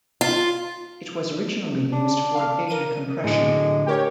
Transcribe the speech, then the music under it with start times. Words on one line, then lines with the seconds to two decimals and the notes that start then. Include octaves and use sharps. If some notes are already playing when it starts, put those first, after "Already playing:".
It was originally used for data compression.
0.21 F4
1.92 D4
2.35 F5
2.67 A#4 D#7
3.24 A2 D3 G#3
3.86 G4 A#4 C#5